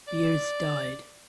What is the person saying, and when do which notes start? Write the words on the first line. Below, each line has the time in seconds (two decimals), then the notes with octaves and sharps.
Beers died.
0.07 D5